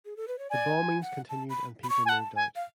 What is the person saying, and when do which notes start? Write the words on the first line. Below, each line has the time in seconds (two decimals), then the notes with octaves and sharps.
The bombings continued and people moved out.
0.05 G#4
0.17 A4
0.28 B4
0.39 C#5
0.50 D5 G#5
1.02 F#5
1.29 A5
1.50 B5
1.84 B5
1.90 C#6
2.05 G#5
2.09 F#5 A5
2.36 G#5
2.56 F5